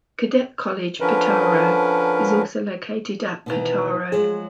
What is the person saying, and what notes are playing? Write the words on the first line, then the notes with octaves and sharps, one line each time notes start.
Cadet College Petaro is also located at Petaro.
D3 F3 C#4 A#4 B4
B2 D#3 E3
F3 F#3 G#3 G#4